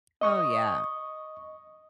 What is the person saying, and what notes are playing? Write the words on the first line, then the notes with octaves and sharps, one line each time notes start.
Oh, yeah.
D#5 C#6 D#6